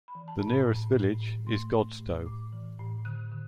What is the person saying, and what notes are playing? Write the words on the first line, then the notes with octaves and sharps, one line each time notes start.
The nearest village is Godstow.
B5
E3
A5
A2
B5
A2
A2
A2
A3 C6
A3
A2
A2 D6
E3
A2
D3 F#6
D3